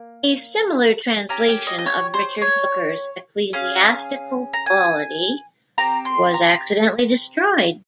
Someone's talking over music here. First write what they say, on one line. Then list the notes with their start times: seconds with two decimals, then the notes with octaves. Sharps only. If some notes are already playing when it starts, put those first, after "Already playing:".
A similar translation of Richard Hooker's "Ecclesiastical Polity" was accidentally destroyed.
Already playing: A#3
1.29 C#4 G4 A#5
1.49 G5
1.67 D#5
1.78 D#5
1.86 C#5
2.14 C5
2.42 C#5
3.53 C#4 G#4 F5
4.53 A#5
4.66 G#5
5.78 C4 G4 A#5
6.05 C6
6.34 A#5